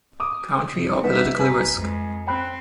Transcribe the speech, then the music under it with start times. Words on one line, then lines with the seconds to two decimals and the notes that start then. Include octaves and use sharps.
Country or political risk.
0.20 D6 D#6
0.74 C3
1.04 G3 B3 D#4 B4 E5
1.39 B4 G#5 A#5
1.75 F2 G#3
2.27 C4 G5 B5 F#6